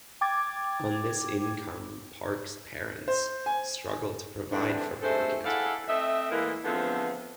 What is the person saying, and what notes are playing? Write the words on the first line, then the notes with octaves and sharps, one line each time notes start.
On this income, Parque's parents struggled to provide for Parque and his brother.
G5 D6 G#6 A6
C5
G#5
A2 D3 E3 C4 D4
G2 G#3 A3 C4 A4 C5
E4 G#4 A4 D5 F5 F#5
A3 C4 D#5 E5
A2 E3 G#3 A#3
E2 D3 F3 A3 B3 C4